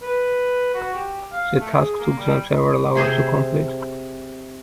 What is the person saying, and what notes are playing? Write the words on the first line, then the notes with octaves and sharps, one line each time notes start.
The task took them several hours to complete.
B4
F#4
G4
F5
A3
G#4
A#3
G3
C3 G#4 C5